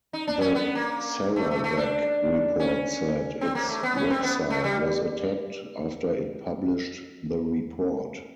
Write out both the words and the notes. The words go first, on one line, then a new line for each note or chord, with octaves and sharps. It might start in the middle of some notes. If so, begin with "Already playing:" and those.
The "Sarawak Report" said its website was attacked after it published the report.
D#4
D4
C#4
B3
A#3
A3
A3
A3
D4
C#4
C4
A#3
A3
B3
C#4
C4
B3
A3
G3